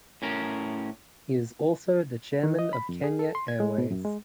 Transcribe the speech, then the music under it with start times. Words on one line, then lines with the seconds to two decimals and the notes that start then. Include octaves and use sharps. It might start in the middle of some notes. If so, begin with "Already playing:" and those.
He is also the Chairman of Kenya Airways.
0.22 A2 C#4 A#4
2.43 D#3
2.59 D#5
2.73 B5
2.89 F2
3.04 G#4
3.19 A4
3.35 C6
3.48 G#6
3.60 G#3
3.78 B2
3.91 F#2
4.05 G#3